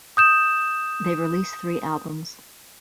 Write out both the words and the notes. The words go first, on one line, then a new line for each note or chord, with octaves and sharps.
They've released three albums.
D#6 G6 E7